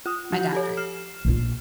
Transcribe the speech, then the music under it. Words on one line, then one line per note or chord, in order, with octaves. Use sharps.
my doctorate,
F4 D#6
F3 G6
G4 A4 C#5
F6 C7 E7
A#1 F4